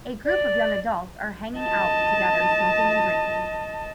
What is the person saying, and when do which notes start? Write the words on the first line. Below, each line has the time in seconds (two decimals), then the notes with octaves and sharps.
The group of young adults are hanging out together smoking and drinking.
0.25 D5
1.58 D#5 A5